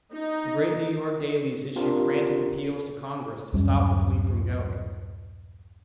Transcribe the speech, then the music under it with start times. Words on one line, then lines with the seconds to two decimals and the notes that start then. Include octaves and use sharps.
The great New York dailies issued frantic appeals to Congress to stop the fleet from going.
0.13 D#4
1.76 C4 D4 F4 G4 A#4
3.53 D1 F#2 G3 C#4